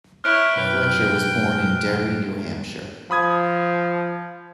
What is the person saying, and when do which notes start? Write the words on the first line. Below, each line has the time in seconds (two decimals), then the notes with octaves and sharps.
Fletcher was born in Derry, New Hampshire.
0.24 E4 C#5 F6 F#6 D7
0.56 B1 F#2 B4 G5
3.11 F3 B5 D#6 G#6